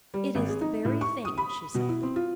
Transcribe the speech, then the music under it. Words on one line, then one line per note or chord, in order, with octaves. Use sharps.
"It is the very thing," she said.
G3
G#1
G#4
D#4
A2
C#6
D#6
B5
B2
E4
C4
F4